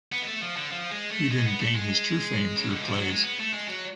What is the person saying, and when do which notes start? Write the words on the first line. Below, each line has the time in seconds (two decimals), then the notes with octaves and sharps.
He didn’t gain his true fame through plays.
0.12 B3
0.23 G#3
0.26 A3
0.41 F3
0.57 D3
0.71 F3
0.91 G#3
1.11 A3
1.31 G#3
1.45 B3
1.60 A3
1.75 G#3
2.56 C#3
2.70 D3
2.83 F3
2.96 F#3
3.09 G#3
3.24 B3
3.39 A3
3.53 G#3
3.68 F#3